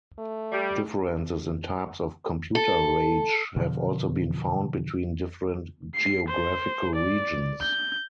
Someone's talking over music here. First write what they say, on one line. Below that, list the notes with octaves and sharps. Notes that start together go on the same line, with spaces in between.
Differences in types of computer rage have also been found between different geographical regions.
A3
G3
A4
B2 D3 F3
C7
C5
D5
G6